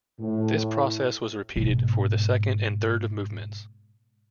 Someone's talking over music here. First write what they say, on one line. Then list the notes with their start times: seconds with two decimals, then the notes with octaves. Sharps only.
This process was repeated for the second and third movements.
0.21 A2
1.56 G#2 B2